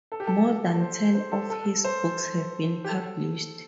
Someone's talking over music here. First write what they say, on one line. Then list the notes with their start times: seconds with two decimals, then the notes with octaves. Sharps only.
More than ten of his books have been published.
0.12 A4
0.20 G4
0.27 A4
0.73 A4
0.80 C5
1.14 C5
1.32 A4
1.50 A4
1.84 C5
2.84 G4
2.89 A4